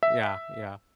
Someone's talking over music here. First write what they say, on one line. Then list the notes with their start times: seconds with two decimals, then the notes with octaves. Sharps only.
Yeah, yeah.
0.03 E5